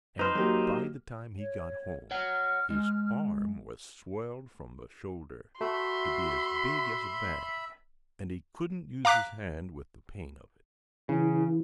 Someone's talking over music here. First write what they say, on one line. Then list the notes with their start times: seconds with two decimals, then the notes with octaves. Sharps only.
And by the time he got home, his arm was swelled from the shoulder to be as big as a bag, and he couldn't use his hand with the pain of it.
0.19 D#4 B4 C5 F6
0.35 F#3 A#3 G4
1.38 C#5
2.11 C#5 F#5 F6
2.70 G#3
5.61 A3 F#4 E5 B5 C6
9.05 F5 A#5 D6 F#6 B6
11.09 C#3 E3